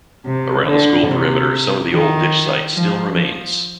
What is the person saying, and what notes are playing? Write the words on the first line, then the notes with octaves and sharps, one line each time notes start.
Around the school perimeter some of the old ditch site still remains.
C3
D3
C3
D#3
F3
F3